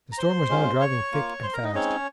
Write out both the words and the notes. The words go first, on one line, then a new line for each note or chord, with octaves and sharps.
The storm was now driving thick and fast.
A#5
C5 C6
G#3 C#4 F4
C#5 C#6
A#3 F4
C5 C6
A#4 A#5
D#4 D#5
G#3 C4 C#4 D#4 C#5